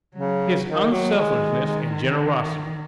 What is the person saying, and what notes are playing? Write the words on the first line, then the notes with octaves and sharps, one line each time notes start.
His unselfishness and generosity?
C#3 F#3
D#3
F#3
D#3 G#3
G#3